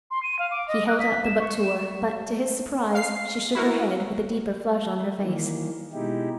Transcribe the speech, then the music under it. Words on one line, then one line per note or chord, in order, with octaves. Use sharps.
He held out the book to her, but, to his surprise, she shook her head, with a deeper flush on her face.
C6
D#7
F5
D6
D#5
F#6
B6
E7
C#6
E7
F5 C7
E4 F#4 A#4
D#3 E3 A#3
B2 G#3 D#4 E4 G4